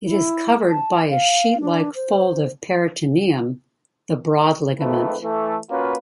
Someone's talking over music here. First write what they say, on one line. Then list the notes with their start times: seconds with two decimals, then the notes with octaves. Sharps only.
It is covered by a sheet-like fold of peritoneum, the broad ligament.
0.04 E4
0.69 A5
1.09 F5
1.61 D4
1.95 C5
4.79 F2 G#2 D#3 A3 B4
5.23 E3 A3
5.70 A#3 C#4 F4 F#4 B4